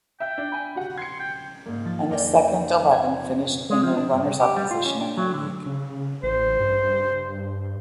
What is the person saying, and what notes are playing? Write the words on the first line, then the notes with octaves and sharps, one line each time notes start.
And the Second Eleven finished in the runners up position in their league.
E5 G5 G6
D4
G#5 B5
F#4 G4 F#5
C6 G#6 C#7
G5
G#2 A#3
F3 A6
F2 D#4 A#4 D5 G5 G#5
B4 G#6
B2
G#3
F3
D4
G2
C2
G4
G3
F4
C#4
D4
F#3
D3
C#3
A1 C5
G2